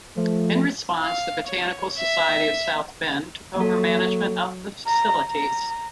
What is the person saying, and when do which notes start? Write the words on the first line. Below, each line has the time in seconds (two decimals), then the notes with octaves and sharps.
In response, the Botanical Society of South Bend took over management of the facilities.
0.16 F3 A3
1.00 F5
1.46 C#5
1.98 E5
3.56 F#3 A#3 A4
4.86 A#5
5.28 A#5